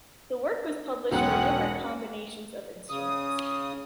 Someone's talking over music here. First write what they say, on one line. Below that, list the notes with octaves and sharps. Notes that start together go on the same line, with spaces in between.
The work was published for different combinations of instruments.
E1 B1 G#3 C#4 F#5 G5
C#3 D#6